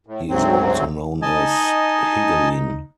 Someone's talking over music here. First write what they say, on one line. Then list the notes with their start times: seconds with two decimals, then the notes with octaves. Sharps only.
He is also known as Higelin.
0.07 A2
0.29 D2 G#2 F#3 C4
1.22 D#4 D#5 G#5 A5